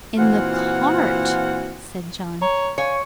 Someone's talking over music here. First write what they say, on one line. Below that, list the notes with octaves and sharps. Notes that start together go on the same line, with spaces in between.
"In the cart," said John.
A#2 E3 C4 F4 F#4 F#5
C#5 A#5
C#5 F5 G#5 C#7